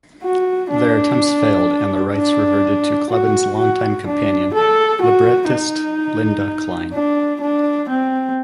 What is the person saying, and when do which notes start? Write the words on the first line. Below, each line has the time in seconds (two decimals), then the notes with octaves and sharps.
Their attempts failed and the rights reverted to Kleban's longtime companion, librettist Linda Kline.
0.24 F#4
0.71 D4
2.15 D4
3.11 F#4
3.58 F#4
4.06 D4
4.54 A4
5.02 F#4
5.50 D#4
6.93 D4
7.41 D4
7.89 C4